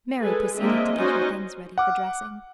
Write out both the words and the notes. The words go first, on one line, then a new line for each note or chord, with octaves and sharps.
Mary proceeded to get her things ready for dressing.
G#3 G#4 A4 B4
G#3 A#3 C4 D4 D#5 E5
C#4 D#4 F#4 C5 D5 D#5
F#5 D6 F6